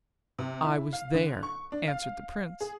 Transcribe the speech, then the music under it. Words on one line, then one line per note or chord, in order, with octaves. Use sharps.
'I was there,' answered the prince.
C3
E4
F5
D3
C#6
D4
F5
G#4